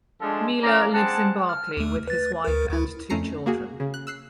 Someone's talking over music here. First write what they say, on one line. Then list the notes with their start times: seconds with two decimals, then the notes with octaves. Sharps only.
Miele lives in Berkeley with his wife and two children.
0.21 F3 G#3 A3 D4 G#4 A4
0.62 E3 C#4 A#4 D5 F5 A#5
0.93 C4 G#4 F#5 A5
1.49 F6
1.77 D#2 A3
2.08 B4 A6
2.44 D2 A#4
2.71 D2 E4
3.10 F2 A3 C#4 A#5 C7 C#7
3.46 A#3 F#4 G#4
3.80 C#3
3.94 F#6
4.07 E6 F#6 C7